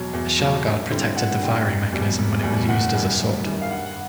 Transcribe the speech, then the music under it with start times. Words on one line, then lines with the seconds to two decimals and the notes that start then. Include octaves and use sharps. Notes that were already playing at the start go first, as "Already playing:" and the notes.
A shell guard protected the firing mechanism when it was used as a sword.
Already playing: E2 B2 F#3
0.13 E2
0.39 B2 F#3
0.66 G2
0.90 D3 G3 C4 E4
1.16 G2 F#5
1.41 D3 G3 C4 E4 G5
1.66 F1
1.92 E2 B2 G3
2.18 F1
2.43 E2 B2 G3
2.68 F#1 F#5
2.94 F#2 D#3 G3
3.19 F#1
3.45 F#2 D#3 G3
3.62 F5
3.71 G2 F#5
3.85 F#5